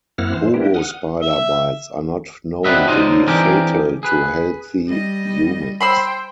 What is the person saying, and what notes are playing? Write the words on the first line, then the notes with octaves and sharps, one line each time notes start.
Hobo spider bites are not known to be fatal to healthy humans.
F#2 A#3 C4 E4 F#5 F6
E3 C5
B3 D4 E4 G4 A#4
F#5 D#6 F6
E5
C4 D4 F#4 B4 D#5 E5
C#2 D3 D#4 F4 C5 D#5
E3 C4 D4 G4 G#4 A#4
G#4 B4
G3 D#5
C5 G5 B5 C6 E6